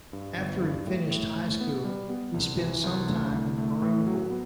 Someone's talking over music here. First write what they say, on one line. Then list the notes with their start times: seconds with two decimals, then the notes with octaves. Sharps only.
After he finished high school he spent some time in the Marine Corps.
0.13 G2
0.38 G1
0.62 G2
0.87 A2
1.11 A2
1.36 A2
1.60 B3
1.85 G3
2.09 B3
2.34 C2
2.58 E3
2.84 C2
3.07 A3
3.32 C2
3.57 A3
3.82 A2
4.07 F#3
4.30 B3